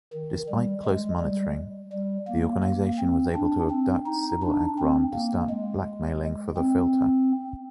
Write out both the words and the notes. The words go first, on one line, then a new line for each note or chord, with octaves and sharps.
Despite close monitoring, the organization was able to abduct Sybille Akron to start blackmailing for the filter.
D#3
G3
G#3
G3
G3
A#3
A#3
C4
D4
C4
D#4
D4
C4
A#3
G#3
C4